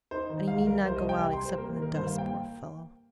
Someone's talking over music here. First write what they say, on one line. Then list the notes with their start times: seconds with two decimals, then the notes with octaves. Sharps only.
'And he need not go out, except in the dusk, poor fellow!'
0.11 D#4 C5
0.30 D#3
0.48 C2 F5
0.66 G3 A#4
0.85 C2 C5
0.96 D#5
1.03 C3
1.09 G5
1.21 C3
1.33 C6
1.40 G3
1.45 C5
1.58 A#3 A#4
1.76 D#3
1.82 A#4
1.94 G2 C5
2.07 F5
2.13 A#3
2.18 G5